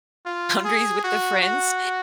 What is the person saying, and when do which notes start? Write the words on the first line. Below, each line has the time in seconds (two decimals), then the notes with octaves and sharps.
boundaries with the friends.
0.26 F4
0.64 G#4
1.04 F#4
1.42 F#4